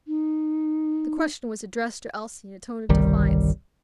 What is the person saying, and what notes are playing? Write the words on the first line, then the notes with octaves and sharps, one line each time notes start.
The question was addressed to Elsie in a tone of defiance.
D#4
G1 C2 D#3 G3